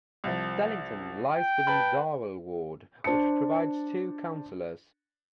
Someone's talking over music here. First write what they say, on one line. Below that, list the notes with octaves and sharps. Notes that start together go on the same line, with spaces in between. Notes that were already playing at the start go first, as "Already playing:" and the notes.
Dallington lies within the Darwell ward, which provides two councillors.
C2 F3
G5
B4 A5 B5
D4 C5 A5 C#7